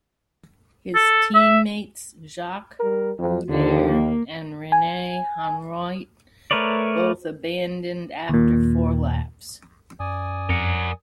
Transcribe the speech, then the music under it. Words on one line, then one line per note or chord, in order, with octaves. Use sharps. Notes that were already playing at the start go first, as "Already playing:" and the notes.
His team-mates Jacques Guders and Rene Hanriot both abandoned after four laps.
A4
E5
G3 A#4
F2
D#2 D3
A#3
G#5
A3 A#4 B4 C#5 D5
D#2 A#2
F#2 D5 G#5 D#6
F2 A#4 F#5